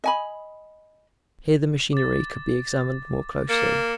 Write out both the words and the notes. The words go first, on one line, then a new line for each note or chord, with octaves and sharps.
Here the machinery could be examined more closely.
D#5 G#5 B5
D6 A6
A#3 A6 C#7 E7